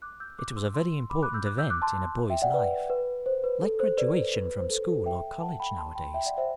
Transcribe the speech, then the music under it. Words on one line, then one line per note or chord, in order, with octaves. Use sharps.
It was a very important event in a boy's life, like graduation from school or college nowadays.
D6 F#6
E6 G6
D6 F#6
C6 E6
C6 E6
B5 D6
D6 F#6
E6 G6
D6 F#6
E6 G6
D6 F#6
A5 C6
E5 G5
D5 F#5
B4 D5
B4
C5
B4
A4
C5
B4 D5
C5
B4
B4
C5
A4
A4
E5 G5
F#5 A5
G5 B5
A5 C6
G5 B5
E5 G5
D5 F#5
C5 E5